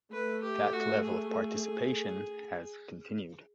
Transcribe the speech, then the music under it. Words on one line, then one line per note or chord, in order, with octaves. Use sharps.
That level of participation has continued.
A3 B4
G4
F#4
G#4